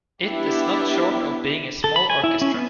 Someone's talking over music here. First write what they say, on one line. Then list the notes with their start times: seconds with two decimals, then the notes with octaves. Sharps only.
It is not short of being a small orchestra.
0.25 B3 D4 E4 G4
1.84 A4
1.96 B5
2.10 G#5
2.24 E4
2.42 C#4
2.54 B3